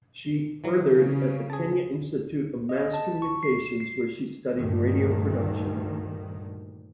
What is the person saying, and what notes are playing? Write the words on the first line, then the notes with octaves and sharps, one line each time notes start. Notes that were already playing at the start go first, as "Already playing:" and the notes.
She furthered at the Kenya Institute of Mass Communication where she studied radio production.
E3 F#3
C#3
G#4 A5
D#5
A5
C#6
C7
C7
D2 G2 A#2 D#3